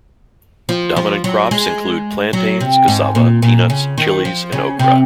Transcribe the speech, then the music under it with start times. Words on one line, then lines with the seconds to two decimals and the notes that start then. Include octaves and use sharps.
Dominant crops include plantains, cassava, peanuts, chillis, and okra.
0.69 F3
0.96 F3
1.24 F#3
1.51 G#3
2.33 F#3
2.61 C3
2.88 G#2
3.15 A#2
3.42 A#2
3.70 C#3
3.98 D#3
4.25 F3
4.52 C#3
4.79 C3